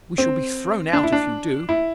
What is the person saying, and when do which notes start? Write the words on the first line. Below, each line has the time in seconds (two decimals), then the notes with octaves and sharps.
We shall be thrown out if you do!
0.18 C4
0.93 D4
1.03 E4
1.13 D4
1.69 E4